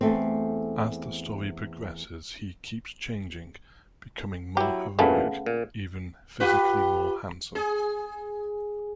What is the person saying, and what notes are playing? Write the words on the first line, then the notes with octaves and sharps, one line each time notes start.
As the story progresses he keeps changing, becoming more heroic, even physically more handsome.
E2 A3 C4
F#3 E4 G4
G2 A#2 C#3 E3 A3 B3
A#2
F4 G4 B4
G#4